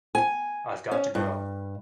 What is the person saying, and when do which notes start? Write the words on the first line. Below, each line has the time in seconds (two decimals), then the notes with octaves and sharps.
I've got to go.
0.15 G#5
0.91 C#4
1.15 G2